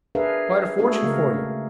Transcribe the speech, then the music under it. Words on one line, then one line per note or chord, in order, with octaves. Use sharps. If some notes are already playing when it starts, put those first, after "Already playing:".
Quite a fortune for you.
D4 G#4 A#4 B4 E5 F5
G#3 A3 D4 F#4 G#4 A4
C#3 A#3 A#4